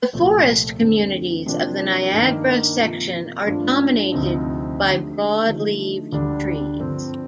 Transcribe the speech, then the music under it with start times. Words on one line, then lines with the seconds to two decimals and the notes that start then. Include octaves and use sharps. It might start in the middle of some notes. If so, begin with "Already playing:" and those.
The forest communities of the Niagara Section are dominated by broad-leaved trees.
0.13 C2 A#2 F3 A3 C4
0.80 F2 D3 A3 C4
1.46 C3 F3 A#3 D4 G4
2.12 G2 D#3 A#3 D#4
2.79 C3 F3 A#3 F4
3.45 G2 F3 A3 D4 F4
4.12 D2 C3 F3 C4 D#4
4.79 D3 A3 D#4 G4
5.46 D3 F3 A3 D#4
6.12 D2 D3 G3 D4
6.79 G2 D3 F3 C4